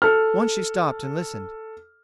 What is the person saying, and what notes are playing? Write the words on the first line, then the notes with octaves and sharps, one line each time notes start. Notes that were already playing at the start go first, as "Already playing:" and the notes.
Once she stopped and listened.
A4 F6